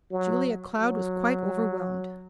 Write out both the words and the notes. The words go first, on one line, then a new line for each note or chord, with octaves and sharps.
Julia Cloud was quite overwhelmed.
F#3
F#3